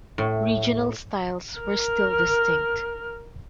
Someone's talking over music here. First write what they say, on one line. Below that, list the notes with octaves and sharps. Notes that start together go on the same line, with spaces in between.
Regional styles were still distinct.
A2
A#4 F6